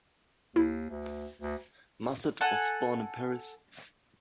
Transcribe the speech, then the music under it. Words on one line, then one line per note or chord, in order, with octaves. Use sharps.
Musset was born in Paris.
D#2 E4
D2
D2
A4 F#5 G#5